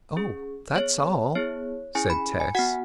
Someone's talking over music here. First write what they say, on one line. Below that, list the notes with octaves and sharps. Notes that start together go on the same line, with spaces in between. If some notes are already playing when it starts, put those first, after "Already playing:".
"Oh--that's all!" said Tess.
C#4 G#4
B3 G#4 C#5
B3 E4 G#4 C#5
C#4 E4 G#4 G#5
B5
G#5
B3 F#4 F#5